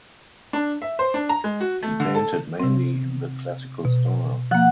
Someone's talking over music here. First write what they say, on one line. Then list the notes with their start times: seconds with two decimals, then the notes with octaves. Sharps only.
He painted mainly in the Classical style.
0.53 D4
0.82 E5
0.99 C5
1.14 D4
1.29 A#5
1.44 G#3
1.61 F#4
1.83 A3
2.00 D3
2.15 A4
2.60 C3 C4
3.85 B2
4.51 F3 A#3 F#5